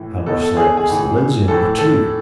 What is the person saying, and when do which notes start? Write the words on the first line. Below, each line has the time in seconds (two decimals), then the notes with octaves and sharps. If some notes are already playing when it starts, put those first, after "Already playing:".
I must let Mr. Lindsey know, too.
Already playing: A2 E3
0.26 B2 A4
0.42 A4
0.57 G#4
0.77 G#4
0.87 A2 E3
1.48 A2 E3 A4
1.78 A4